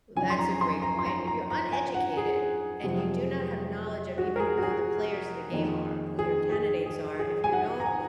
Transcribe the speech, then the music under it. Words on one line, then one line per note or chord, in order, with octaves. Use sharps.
That's a great point. If you're uneducated and you do not have knowledge of even who the players in the game are, who your candidates are, if you don't
F2 C#3 F#3 C#4 G#5
C6
A#5
C6
A#5
C6
A#5
A#5
A#5
G#5
F#5
G#4
F1 F2 C3 F#3 C4
F#4
A#4
G#4
F#4
G#4
F2 D#3 A#3 D#4
G#4
G#4
G#4
G#4
G#5
F#5
A#5
G#5